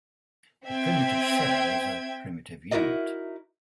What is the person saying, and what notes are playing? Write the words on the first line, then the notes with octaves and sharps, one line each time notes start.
The primitive cell is a "primitive unit".
C4 E5 G5 G#6
D#4 E4 F#4 A#4 D5 D#5